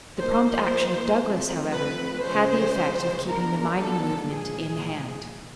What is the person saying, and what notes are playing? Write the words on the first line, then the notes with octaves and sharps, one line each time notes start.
The prompt action of Douglas, however, had the effect of keeping the mining movement in hand.
F3 A#3 D#4 C5
F3 A3 C4
B4
C#3 F3 G#3 C#4 C5
F3 G#3 B3 D4 A#4
A4
A#2 F3 G#3 G#4